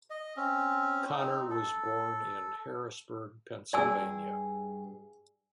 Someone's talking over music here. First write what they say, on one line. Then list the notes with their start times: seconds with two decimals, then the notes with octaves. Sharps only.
Conner was born in Harrisburg, Pennsylvania.
0.10 D#5
0.36 C4 C#4
1.12 C4 D#4
1.50 A4
3.73 G2 G#4 D5 G#5 E6